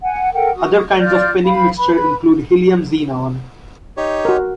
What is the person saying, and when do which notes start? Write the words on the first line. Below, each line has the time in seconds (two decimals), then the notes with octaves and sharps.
Other kinds of Penning mixture include helium-xenon.
0.02 F#5 G#5
0.33 A4 A#4 F#5 G5
0.54 F#4 D#6
1.00 F4 D5 F6 G6
1.45 C5 F5 B5
1.77 B4 B5
3.97 D#4 G4 C#5
4.25 F#4 A#4